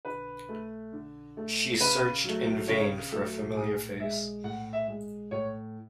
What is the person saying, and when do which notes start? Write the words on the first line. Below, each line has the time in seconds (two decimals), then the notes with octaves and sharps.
She searched in vain for a familiar face.
0.05 D3 B4
0.49 A3
0.93 D3
1.37 A3
1.80 C#3 B4
2.24 F#3 A3
2.68 C#3 C#5
3.12 F#3 A3 A4
3.56 A2 G#4
4.00 G#3 E5
4.44 A2 F#5
4.73 E5
4.88 G#3
5.31 A2 C#5